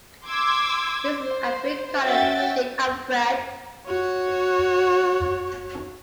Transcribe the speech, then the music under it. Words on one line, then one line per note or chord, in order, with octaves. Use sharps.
This is a brick-colored shade of red.
C6 D6 E6 G#6
C5
C#4 F#4 E5 G5 A6
F#4 C#5